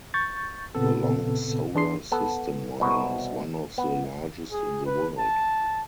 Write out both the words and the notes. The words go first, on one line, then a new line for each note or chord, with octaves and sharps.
The long solar system model is one of the largest in the world.
C#6 G6 A6
A#2 C#3 B3 C4 A4
E3 D4 G#4 C6 C7
B3 A4
C2 B2 F#4
B3
G#4
B4
A5